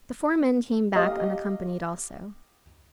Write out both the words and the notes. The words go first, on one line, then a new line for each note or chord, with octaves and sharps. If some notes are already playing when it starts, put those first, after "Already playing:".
The four men came back unaccompanied also.
G4 D#5 F5